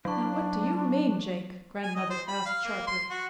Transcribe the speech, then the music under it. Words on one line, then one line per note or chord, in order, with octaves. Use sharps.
"Now what do you mean, Jake?" grandmother asked sharply.
F#3 D4 C#6
G#5
D#5
C5
B5
F5
A#3
C6
F#4